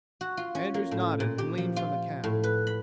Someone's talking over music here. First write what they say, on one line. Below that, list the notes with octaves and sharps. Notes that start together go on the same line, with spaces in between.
Andrews nodded and leaned from the cab.
F#4
F4
C#4
A#3
A2
A#2
G4
F3
F4
A2
B4
B5